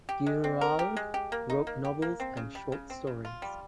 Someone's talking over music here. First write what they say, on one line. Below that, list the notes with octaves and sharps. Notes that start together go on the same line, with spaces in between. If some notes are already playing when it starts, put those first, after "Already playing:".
Girouard wrote novels and short stories.
G4
G#3
C4
A#4
G4
G#3
G4
A#3
D#4
A#3
G4
A#3
C4
C#3
G3
C#3
C4
C#3
F4
G3